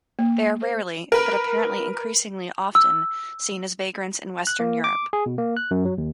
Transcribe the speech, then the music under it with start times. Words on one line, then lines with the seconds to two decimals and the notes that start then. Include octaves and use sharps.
They are rarely-but apparently increasingly often-seen as vagrants in western Europe.
0.19 A#3
0.62 C5
1.12 A#4 B4
2.75 E6
4.47 F#6
4.60 A#3
4.84 D6
5.13 G#4
5.26 B2
5.38 A#3
5.57 F#6
5.71 F#2
5.85 F#3
5.98 D#2